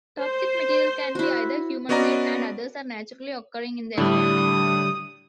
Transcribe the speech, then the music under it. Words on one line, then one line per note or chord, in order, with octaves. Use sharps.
Toxic material can be either human-made and others are naturally occurring in the environment.
C5
E4 F#4
B3 C#4 F#4 D5 D#5 A#5
A2 D3 G3 D4 E4 D#6